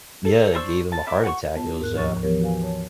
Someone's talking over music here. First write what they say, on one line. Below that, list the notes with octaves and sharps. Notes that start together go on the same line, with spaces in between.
yeah, it gave him a heart attack, it was, uh
A4
D4 C5 C#6 E6
A5
B3 E5 D6
F#5 A5 C#6
B3 F4 A5
G#2 A#4 F#6
D2 F3 C#6 A6
E3 F3 B3 G4 A#4 C#5
F#4 B4 F5 G#5
C#5 A5